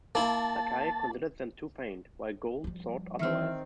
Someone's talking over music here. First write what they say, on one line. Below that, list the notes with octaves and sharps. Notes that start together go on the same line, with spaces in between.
Lacaille considered them too faint, while Gould thought otherwise.
A#3 E4 A5
F3 G3
D#3 E3 C4 E5 F6